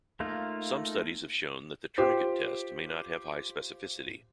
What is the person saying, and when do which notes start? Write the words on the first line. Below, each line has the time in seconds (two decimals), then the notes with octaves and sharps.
Some studies have shown that the tourniquet test may not have high specificity.
0.20 A3 A#3 D#4 F4
1.98 F4 G4 C5